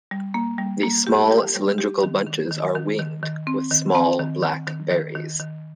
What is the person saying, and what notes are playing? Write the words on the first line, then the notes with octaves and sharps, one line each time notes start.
The small, cylindrical bunches are winged, with small black berries.
G3
A#3
G3
A#3
G4
G4
G3
G4
D#3
D#3
D#3
D#3
D#3
D#3
C4
D#3
C4
D#3
D#3
D#3
D#3
D#3
D#3